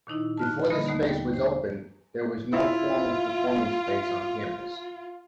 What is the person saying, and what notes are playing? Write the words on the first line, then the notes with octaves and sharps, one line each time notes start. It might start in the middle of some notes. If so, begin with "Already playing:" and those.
Before this space was opened there was no formal performing space on campus.
A#2 D#3 D#4 E4
A5 F6 F#6
D3 G3 A#3 D#5 B5 D#6
D#2 A3 B3 D#4
G5 A6
C5
E4 F4